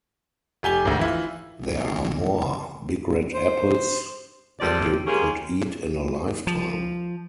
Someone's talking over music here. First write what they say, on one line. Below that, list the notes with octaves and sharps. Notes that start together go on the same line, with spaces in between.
There are more big red apples than you could eat in a lifetime.
F1 G4 G#5 G7
G#1 D2
E3 E4 F4
C5
C3 F3 G3 A4 D5
D#3 G#3 A#3 C#4 G4 G#4
F3